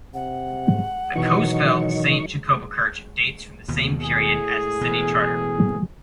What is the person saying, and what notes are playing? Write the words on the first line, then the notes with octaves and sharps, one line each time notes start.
The Coesfeld Saint Jacobikirche dates from the same period as the city charter.
C3 F#5
B2 D#3 E3 F#3 D#4 C#6
D#2 B2
A2 G#4
B2 E3